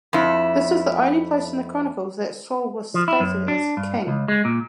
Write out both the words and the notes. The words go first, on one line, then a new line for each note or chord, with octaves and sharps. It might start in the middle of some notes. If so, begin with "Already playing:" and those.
This is the only place in the Chronicles that Saul was stated as king.
F2 E4
F3
E4
F#2
D4
G2
C#2
G#3
A#2